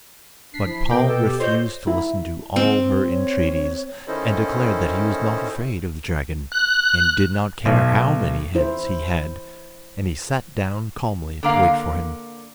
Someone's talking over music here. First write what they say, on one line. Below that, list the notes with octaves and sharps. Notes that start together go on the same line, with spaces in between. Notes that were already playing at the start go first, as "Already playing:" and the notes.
But Paul refused to listen to all her entreaties, and declared that he was not afraid of the dragon, and did not care how many heads he had; and he sat down calmly to wait for him.
D4 B6 C7
F3 E4
B2 B3 A#4 G5 D6
A4 B4
G4
F4 C5 C#5 D#5 G6
E4
C4
C#5
D#3 C#4 E4 A4 C5 D#5
F#6
B1
E4 C5
D3 A#3 F5